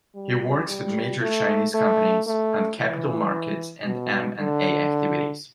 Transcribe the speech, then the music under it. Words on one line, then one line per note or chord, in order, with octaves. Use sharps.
He works with major Chinese companies on capital markets and M and A activities.
G3
G3
A3
A3
A3
E3
B2
D3